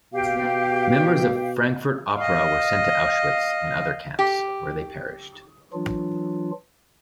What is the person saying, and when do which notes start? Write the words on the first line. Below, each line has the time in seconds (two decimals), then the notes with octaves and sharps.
Members of Frankfurt Opera were sent to Auschwitz and other camps where they perished.
0.13 B2 G4 F5
2.18 D#5 F5
4.19 G4
5.73 E3 F#3 D4 F4